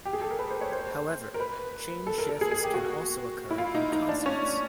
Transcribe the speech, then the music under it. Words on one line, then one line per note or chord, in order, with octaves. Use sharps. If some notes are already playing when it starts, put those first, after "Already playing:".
However, chain shifts can also occur in consonants.
G4
G#4
A4
A#4
B4
C5
C#5
C5
A#4
B4
A4
A#4
A4
G#4
G#4
G4
F#4
E4
F4
D#4
D#4
D4
C#4